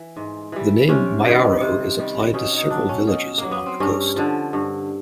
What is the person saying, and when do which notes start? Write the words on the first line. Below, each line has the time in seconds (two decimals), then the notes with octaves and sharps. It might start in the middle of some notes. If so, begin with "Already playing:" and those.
The name Mayaro is applied to several villages along the coast.
Already playing: E3
0.16 G#2
0.52 E3 G3
0.89 C3 C#4
1.26 D#3 G3
1.61 C3
1.98 D#3 G3
2.34 B2 C#4
2.53 D#4
2.70 F#3 D4
2.89 C#4
3.07 B2
3.38 A#3
3.43 F#3
3.51 B3
3.66 C4
3.80 G2 C#4
4.16 D3 F3
4.53 G2